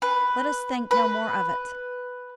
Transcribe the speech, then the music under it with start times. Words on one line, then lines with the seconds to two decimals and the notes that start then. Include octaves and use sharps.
Let us think no more of it.
0.02 B4
0.91 B4